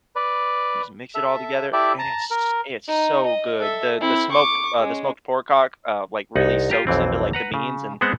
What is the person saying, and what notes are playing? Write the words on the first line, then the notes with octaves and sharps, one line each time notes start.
You just mix it all together and it's it's so good. The the smoked uh, the smoked pork hock, uh, like, really soaks into, like, the beans, and
B4 D5
A4 E5
E4 G4 A4 D5 E5
A5 A#5
A#4
D#4
D#5
A4 E5
C4 E4
C#6 D6
G#3 C#4
C2 D#4 F#5
F4 G4 A#5
B1 F2 E3 C4
B4 F#5 A#5
C#3
G#3 B3 C4 C5 F#5